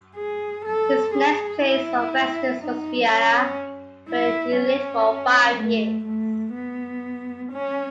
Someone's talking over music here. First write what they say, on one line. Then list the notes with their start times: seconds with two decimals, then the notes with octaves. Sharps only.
His next place of residence was Vienna, where he lived for five years.
0.16 G#4
0.66 A4
1.15 G#4
1.64 E4
2.62 D#4
3.10 C#4
4.09 E4
4.58 C#4
5.56 A3
6.05 A3
6.53 B3
7.52 C#4